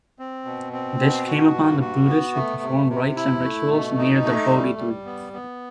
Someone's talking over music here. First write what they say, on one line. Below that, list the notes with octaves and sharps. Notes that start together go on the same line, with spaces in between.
This came upon the Buddhists who performed rites and rituals near the Bodhi tree.
C4
B2
C4
B2
F#4
G2
F#4
B3
A3
C3
C3
E4
A3
B2
D#4
A3
G3
G3
B3
B3